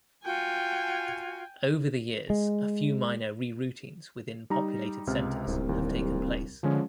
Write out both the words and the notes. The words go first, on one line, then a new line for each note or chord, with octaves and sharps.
Over the years a few minor reroutings within populated centers have taken place.
F4 F#4 G5 G#5
G#3
G3 D#4 A#5
C#2 C3 F6
D1 C2
D#2
D3 F3 G#3 C#4